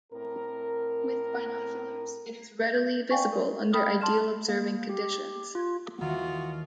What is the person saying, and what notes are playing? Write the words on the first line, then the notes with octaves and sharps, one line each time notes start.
With binoculars it is readily visible under ideal observing conditions.
A2 C4 A#4
G6
D5 F5 G5 G#5 C#6
A#4
G5 B5 D#6 F6
A5 C6 F6 E7
A#3
G4
F4
D#2 D#3 E3 F4 F#4